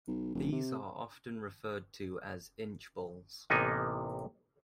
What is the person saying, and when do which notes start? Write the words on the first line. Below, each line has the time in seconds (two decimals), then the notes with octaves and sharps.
These are often referred to as inch balls.
0.07 B1
0.34 F1
0.52 C3
3.50 A1 C3 A#3 B3 D#4 G#5